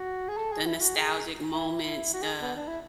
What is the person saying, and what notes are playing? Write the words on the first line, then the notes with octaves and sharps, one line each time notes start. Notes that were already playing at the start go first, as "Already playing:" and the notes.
the nostalgic moments, the
Already playing: F#4
G#4
A4
G#4
E4
F#4
G#4
E4
E4
E4
F#4
G#4
B3
D4
E4